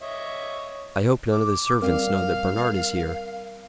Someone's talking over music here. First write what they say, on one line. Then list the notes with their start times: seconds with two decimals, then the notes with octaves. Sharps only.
"I hope none of the servants know that Bernard is here?"
0.02 C#5 D#5 E5
1.31 D6
1.82 G3 C4 A#4 F5